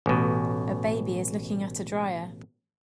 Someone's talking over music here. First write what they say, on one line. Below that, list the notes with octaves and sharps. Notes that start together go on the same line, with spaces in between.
A baby is looking at a dryer.
A1 B2